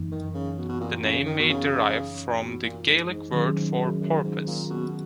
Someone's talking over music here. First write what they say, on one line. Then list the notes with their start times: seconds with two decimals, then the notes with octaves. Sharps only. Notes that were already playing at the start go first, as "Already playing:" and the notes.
The name may derive from the Gaelic word for porpoise.
Already playing: F#2 E3 A#3 D#4
0.11 D#3
0.34 C#3
0.58 B2
0.69 B2
0.81 A#2
1.03 C#3
1.26 D#3
1.39 B2
1.49 C#3
2.41 B2
2.63 A#2
2.86 G#2
3.09 G#2
3.32 D#3 F#3 C#4 G#4
3.55 G#2
3.78 F#2
4.01 F#2
4.24 G#2
4.47 A#2
4.70 B2